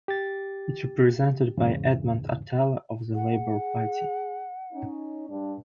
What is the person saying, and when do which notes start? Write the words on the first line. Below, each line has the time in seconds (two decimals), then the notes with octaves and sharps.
It is represented by Edmond Atalla of the Labor Party.
0.08 G4 A6
1.58 E2 G#2 C#3 E3
3.15 G#4 F#5
4.73 C#4 D#4
5.29 G2 D4